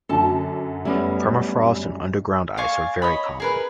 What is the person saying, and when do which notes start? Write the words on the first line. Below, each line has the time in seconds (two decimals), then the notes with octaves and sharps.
Permafrost and underground ice are very common.
0.09 F#2 D3 F#3 A4 A5
0.85 G3 A3 B3 C#4 E4
2.57 D5 F5 G#5 C#6
3.02 C#5 D#5 B5
3.40 G#4 A#4 B4